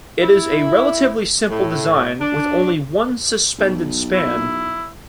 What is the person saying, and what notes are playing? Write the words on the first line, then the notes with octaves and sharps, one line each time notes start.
It is a relatively simple design with only one suspended span.
E4
A2
D4
B1
E4